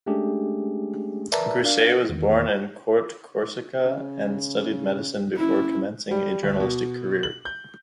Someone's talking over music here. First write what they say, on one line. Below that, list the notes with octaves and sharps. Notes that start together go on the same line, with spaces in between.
Grousset was born in Corte, Corsica, and studied medicine before commencing a journalistic career.
G#3 A3 C#4 D4 G4 G#4
A#4 B4 D5 E5 A5 A#5
D4 A#4 D5 F5
E2 D#3
C#3
F#1 C#4 E4
G3
D2
B2
F#7
G6